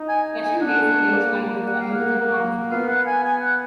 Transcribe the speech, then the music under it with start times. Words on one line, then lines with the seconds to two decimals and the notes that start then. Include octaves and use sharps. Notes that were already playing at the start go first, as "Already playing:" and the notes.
Special laser rangefinders are used in forestry.
Already playing: D#4
0.09 G#5
0.44 G#5
0.62 D4 F#5
1.14 A#3
1.67 F#5
1.80 F5
1.94 F#5
2.19 A#3
2.71 B3 F5
2.88 F#5
3.07 G#5
3.24 G#5
3.41 F#5